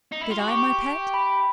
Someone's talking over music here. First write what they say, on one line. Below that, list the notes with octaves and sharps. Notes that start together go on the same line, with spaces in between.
"Did I, my pet?"
D#4
E4
F4
F#4
G4 C#6
B5